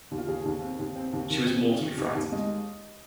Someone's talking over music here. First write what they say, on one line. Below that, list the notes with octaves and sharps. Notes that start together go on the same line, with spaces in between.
She was mortally frightened.
D#2
F4
D#2 G#4
D#2
C4
D#2
C4
D#2
D#3
C4
C4 G#4
D#3
D#2
D#2
G#3 D#5